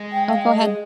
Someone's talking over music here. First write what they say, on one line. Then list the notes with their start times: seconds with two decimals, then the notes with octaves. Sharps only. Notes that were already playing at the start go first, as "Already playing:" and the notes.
Oh, go ahead.
Already playing: G#3
0.13 G5
0.28 F5
0.45 D#5
0.60 G#4